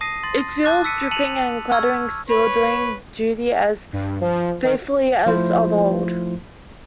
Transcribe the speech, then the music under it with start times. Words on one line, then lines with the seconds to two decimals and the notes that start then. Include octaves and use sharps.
Its wheel is dripping and clattering still, doing duty as faithfully as of old.
0.01 A5 D#6 A#6 C7 D#7
0.23 C6 A6
0.63 A5 D6 F#6 A6
0.84 E6 B6 C#7 D#7
1.11 A5 C#7 D#7 F7 F#7
1.72 C#6 E6 F6 G#6
2.29 B4 C#5
3.93 G2
4.21 F3
4.64 D#3
5.26 F3 A3 E4 F4 C5